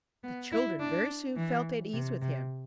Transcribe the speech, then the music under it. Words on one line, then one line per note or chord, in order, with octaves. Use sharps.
The children very soon felt at ease with him.
B3
E4
D4
E3
C3
C3